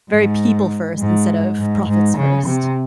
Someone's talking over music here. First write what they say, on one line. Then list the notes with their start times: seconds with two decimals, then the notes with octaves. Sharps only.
Very people first instead of profits first,
0.11 G#2
0.99 G#2
1.59 G#2
1.88 G#2
2.17 C#3
2.47 C3